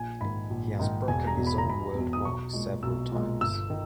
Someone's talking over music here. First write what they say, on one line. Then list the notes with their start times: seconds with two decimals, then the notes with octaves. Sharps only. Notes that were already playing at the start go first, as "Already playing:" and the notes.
He has broken his own world mark several times.
Already playing: A#1 G#5
0.21 G#2 D#3 B5
0.50 A#1
0.79 G#2 D#3
1.08 E1 G#5
1.27 A#5
1.37 E2 B2
1.47 B5
1.58 A#5
1.66 E1 B5
1.95 E2 B2
2.13 D#6
2.25 B1 C#6
2.53 A#2 G#3
2.83 B1 E6
3.12 A#2 G#3
3.41 G1 E6
3.70 D#3